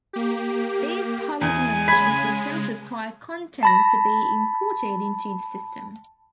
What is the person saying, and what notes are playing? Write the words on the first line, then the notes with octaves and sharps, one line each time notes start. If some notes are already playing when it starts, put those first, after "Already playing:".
These policy management systems require content to be imported into the system.
A#3 G4
E2 G#5
C#3 G#3 B5 G#6 B6
A5 B5 A#6